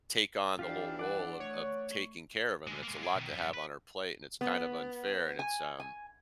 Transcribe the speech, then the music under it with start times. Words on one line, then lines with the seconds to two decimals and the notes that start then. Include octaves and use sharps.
take on the whole role of of taking care of him and it's a lot to have on her plate and it's kind of unfair and it's, um
0.59 E3 D4 F4 G4 F5
0.99 D5 F#5
1.40 A3 C#5
2.67 D3 G#3
2.83 G#3 A#3
3.03 G#4 D5
3.15 B2 D#3
3.31 F#2 G3
3.54 B4
4.41 B3
5.39 G#5
5.80 G#5